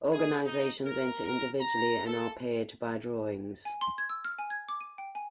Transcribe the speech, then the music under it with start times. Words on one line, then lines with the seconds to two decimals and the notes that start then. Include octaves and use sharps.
Organizations enter individually and are paired by drawings.
0.13 G#4
0.45 D#4
0.84 A#4
1.25 A#4
1.60 A#5
2.05 A4
3.65 G#5
3.81 C6
3.98 G#6
4.10 E6
4.25 F6
4.39 G#5
4.50 G#6
4.68 D6
4.81 D#7
4.98 G5
5.15 G#5